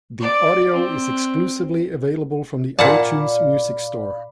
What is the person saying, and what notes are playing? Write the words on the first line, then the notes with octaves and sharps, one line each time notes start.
The audio is exclusively available from the iTunes Music Store.
D5
C4
A#2 D5 F5 F#5 A5 B5